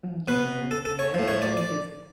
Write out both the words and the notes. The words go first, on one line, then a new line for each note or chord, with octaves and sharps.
Mm, yeah, yeah, it's so funny 'cause
B2 B4
A4
A4
C#5
A2 F3
C#5
D5
D5